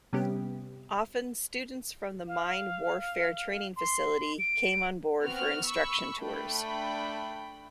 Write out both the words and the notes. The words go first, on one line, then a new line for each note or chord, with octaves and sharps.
Often students from the Mine Warfare Training Facility came on board for instruction tours.
C3 G3 B3 C#4 G4
F5
C6
D7
B3 C4 F#4 F6
B5 C#6 E6
A3 D4 G5 B5